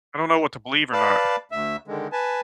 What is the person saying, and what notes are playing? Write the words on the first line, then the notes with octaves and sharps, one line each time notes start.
I don't know what to believe or not.
B4 D5 F5 A5 B5
D2 E5
D3 D#3 G#3
B4 G#5 A5